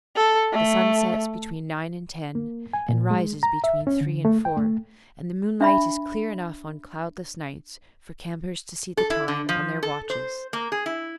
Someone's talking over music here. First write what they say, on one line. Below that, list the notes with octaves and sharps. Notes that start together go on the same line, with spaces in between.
The sun sets between nine and ten, and rises between three and four, and the moonlight is clear enough on cloudless nights for campers to see the time on their watches.
A4
A3
A#3
G#5
A#2
G#3
A#5
E5
C#4
D3
A3
G5
A3
D4 E5 B5
A4
E4
D3
F3
A4
C5
A#3
G#4
E4